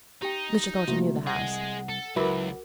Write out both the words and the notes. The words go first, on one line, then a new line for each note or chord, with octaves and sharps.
Mr. Thornton knew the house.
D#4 G4 G5
C2 A3 A#3 F#4
G#4 D#5 F#5
A4
C#2 F#3 E4 F#4 A#4 B4 D6